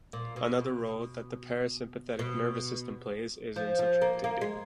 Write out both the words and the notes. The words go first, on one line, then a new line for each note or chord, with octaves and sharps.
Another role that the parasympathetic nervous system plays is in sexual activity.
A#2
B2
B2
B2
F3
F3
A#3
A#3
G#3